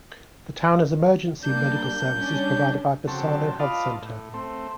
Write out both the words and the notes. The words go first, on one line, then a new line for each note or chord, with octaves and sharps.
The town has emergency medical services provided by Bassano Health Centre.
G3 A#3 D4 G6
G3 C#4 D4
C#3 F#3 C4 G4 A4 A5
F4 B4 D5 D#5 F5 A5
A2
A3 C4